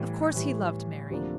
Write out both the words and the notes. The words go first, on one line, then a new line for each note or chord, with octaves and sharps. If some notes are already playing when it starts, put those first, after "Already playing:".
Of course he loved Mary.
Already playing: A2 E3 G3
A2 E3 G3
D2 C3 F3 A#3 D4